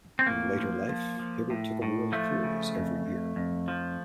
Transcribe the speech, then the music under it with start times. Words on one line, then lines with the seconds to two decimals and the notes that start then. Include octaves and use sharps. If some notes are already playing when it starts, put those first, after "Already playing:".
In later life, Hibbert took a world cruise every year.
0.19 C4
0.26 A2 A#3
0.57 F3
0.89 F3
1.19 F3
1.50 A2
1.82 A2
2.12 F3 A3
2.43 C#3
2.75 F2
3.06 F2
3.36 F2
3.68 F3